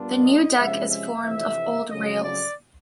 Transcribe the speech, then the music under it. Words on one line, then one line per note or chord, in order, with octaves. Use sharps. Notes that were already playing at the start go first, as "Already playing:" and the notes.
The new deck is formed of old rails.
Already playing: A#2 G3 B3 D4 F4
D#5
C3 F3 G#3 C#4 E5
E5
F2 C3 E3 E5
F2 C#3 F#3 D#5
D5